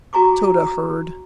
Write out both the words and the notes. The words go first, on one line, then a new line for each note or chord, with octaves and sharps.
Tode heard.
F#4 G#5 A#5 C#6 D6